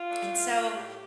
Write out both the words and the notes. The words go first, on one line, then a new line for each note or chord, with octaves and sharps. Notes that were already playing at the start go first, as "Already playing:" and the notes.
And so
Already playing: F4
A3 D4
A2
A3 D4
A2 G4